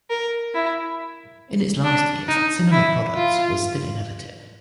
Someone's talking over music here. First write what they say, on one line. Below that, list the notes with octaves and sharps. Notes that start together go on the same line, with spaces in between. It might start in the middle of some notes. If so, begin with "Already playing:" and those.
In its last years, Cinema Products was still innovative.
A#4
E4
D4
D#4
E4
F4